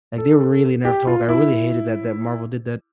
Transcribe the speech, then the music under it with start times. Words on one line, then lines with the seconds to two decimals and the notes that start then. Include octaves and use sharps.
Like, they were really nerf talk, I really hated that that Marvel did that.
0.18 A4
0.85 G4
1.07 F4
1.28 E4